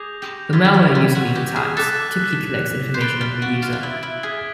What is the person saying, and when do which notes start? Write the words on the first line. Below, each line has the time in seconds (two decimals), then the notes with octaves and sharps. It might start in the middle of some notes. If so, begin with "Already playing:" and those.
The malware used in these attacks typically collects information on the user.
Already playing: G#4 D6 G6 A#6 F7
0.22 G4
0.53 F4 E6 G#6 B6
0.65 E4
0.74 F4
0.95 F4
1.15 F#4
1.35 G4
1.56 G#4
1.77 A4 D6 F#6 B6 E7
2.94 C5
3.00 B4 A6 D7 G7
3.21 F4
3.42 F#4
3.62 F4
3.73 F4
3.83 E4
4.03 E4
4.23 G#4 F6 G#6 B6 D#7 F#7